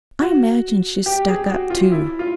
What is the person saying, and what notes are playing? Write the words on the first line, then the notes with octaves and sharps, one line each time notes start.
I imagine she's stuck up, too.
F#4
G4
G#4
F#4
F4
E4
F4